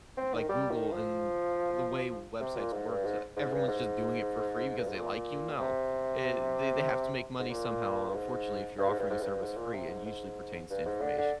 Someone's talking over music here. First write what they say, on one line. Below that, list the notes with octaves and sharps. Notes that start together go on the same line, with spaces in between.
like, Google and the way websites work to everyone's just doing it for free because they like you? No. Eh they they have to make money somehow, unfortunately, if you're offering a service free, it usually pertains to information.
C4
D#3
G3
D#3
F3
C3
A#2
G#2
G2
G#2
G#2
G2
G#2
G2
G#2
A#2
C3
G#2
A#2
G2
G#2
G2
G#2
G2
G#2
G2
G#2
A#2
C3
G#2
G#2
G2
G#2
D3
D3